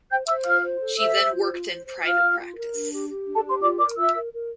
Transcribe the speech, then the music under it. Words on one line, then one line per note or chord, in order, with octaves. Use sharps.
She then worked in private practice.
C5 G5 G6
C5 E5 E6
F4 F5 F6
C5
A4
C5 E5 E6
C5
F4
F4
C5
C5
F4 F5 F6
F4
F4
A#4
D4
G4
G4
D4
A4 A5
G4 C5 C6
F4 D5 D6
A#4 D5 D6
F4 E5 E6
A#4
A#4